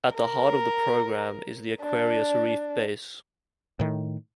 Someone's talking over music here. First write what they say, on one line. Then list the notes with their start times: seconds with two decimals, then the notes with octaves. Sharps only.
At the heart of the program is the Aquarius Reef Base.
0.13 A#4
1.81 D4
3.80 A2 D#3